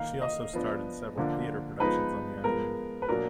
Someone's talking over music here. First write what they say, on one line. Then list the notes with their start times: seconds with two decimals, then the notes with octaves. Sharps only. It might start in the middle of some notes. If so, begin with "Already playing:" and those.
She also starred in several theater productions on the island.
Already playing: D#3 A#3 D#4 F5
0.22 D#5
0.53 F3 B3 D4
1.18 D3 F3 A#3 D4
1.80 F3 G#3 B3 D#4 B4
2.44 F3 G#3 B3 A#4
3.02 B4
3.08 B2 F#3 A#3 D4 A#4